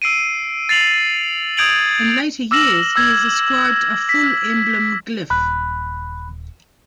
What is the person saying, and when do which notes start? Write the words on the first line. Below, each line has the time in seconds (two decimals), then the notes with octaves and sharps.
In later years, he is ascribed a full emblem glyph.
0.02 E6 C7 D7 D#7
0.69 A6 C7 F7 F#7
1.57 D#6 G6 G#6 D7 F7 F#7
2.51 D6 E6 F6 A#6 E7 F#7
2.96 E6 G#6
4.09 B6
5.30 D#1 B5 F#6